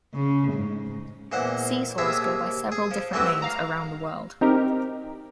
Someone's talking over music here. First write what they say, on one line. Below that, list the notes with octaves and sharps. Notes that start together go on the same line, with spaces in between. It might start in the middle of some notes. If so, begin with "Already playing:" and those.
Seesaws go by several different names around the world.
C#3
G#2
E2 A#2 C5 F#5
D#2 C3 G#4 E5
G#4
F3
E3 F3 G3 A3 C4 F#4
F5 A#5
C4 D#4 G4 A#4